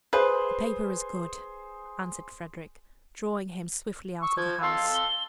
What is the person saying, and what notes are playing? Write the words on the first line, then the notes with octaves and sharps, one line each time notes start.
"The paper is good," answered Frederick, drawing him swiftly out of the house.
G#4 B4 C5
C#6 E6
F3 G#6
F5 A5 C6 E6
G7